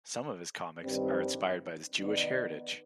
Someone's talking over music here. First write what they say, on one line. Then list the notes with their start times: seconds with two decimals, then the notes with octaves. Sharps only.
Some of his comics are inspired by his Jewish heritage.
0.82 G2 D#3 G3 C4
1.97 D#3 B3 D#4 B4 D5